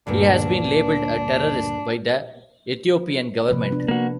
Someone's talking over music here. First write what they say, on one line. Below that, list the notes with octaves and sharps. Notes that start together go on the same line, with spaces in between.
He has been labelled a terrorist by the Ethiopian government.
D2 G2 A#2 D4
C3 F3 B4
B3 D4
A#3 F#4